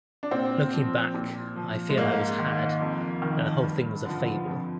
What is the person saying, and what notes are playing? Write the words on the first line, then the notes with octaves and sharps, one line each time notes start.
Looking back, I feel I was had and the whole thing was a fable.
D4
A#2 C4
F3
A#2
F3
G#3
G#2 A#3
D#3
F2
D#3
G2
D3 F3
F2